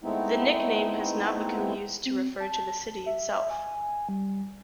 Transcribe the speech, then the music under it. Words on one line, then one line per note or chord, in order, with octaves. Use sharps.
The nickname has now become used to refer to the city itself.
G#3 A3 B3 C4 D#4 E4
C4
A5
E5
G#5
G3